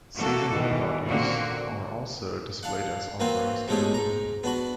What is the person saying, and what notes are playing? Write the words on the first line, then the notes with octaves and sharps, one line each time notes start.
Seasonal produce are also displayed as offerings to the moon.
E2 A3 A#3 F#4 A4
B2 D#3 E3
A#2 D3 A#3 C4 F#4
D4 F5 F#5
E3 A#3 C4 F4 F#4 C5
G#2 B2 A3 C#4 G4 G#4
G#2 A#5
B3 D4 F#4 B5